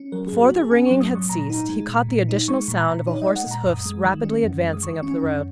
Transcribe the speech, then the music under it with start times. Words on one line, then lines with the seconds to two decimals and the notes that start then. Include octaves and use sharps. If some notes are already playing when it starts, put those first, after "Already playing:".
Before the ringing had ceased, he caught the additional sound of a horse's hoofs rapidly advancing up the road.
Already playing: C#4
0.12 F#3 A#4
0.28 G#4
0.32 G#2
0.41 F#4
0.52 G#2 G#4
0.71 C#4 G#5
0.86 C#6
0.90 F#3
1.01 D#6
1.10 G#2 C#6
1.29 A#2 A#5
1.50 D#4
1.69 G#3
1.88 A#2
2.09 A#2
2.29 D#4
2.48 G#3 C#6
2.68 A#2
2.77 A#5
2.87 A#2
3.07 D#4 C#5
3.22 D#5
3.27 G#3
3.36 F#5
3.47 A#2 A#5
3.65 F#2 D#6
3.85 G#3
4.05 D#3
4.24 C#4
4.44 F#2
4.64 G#3
4.73 D#6
4.83 D#3 C#6
5.03 C#4
5.23 F#2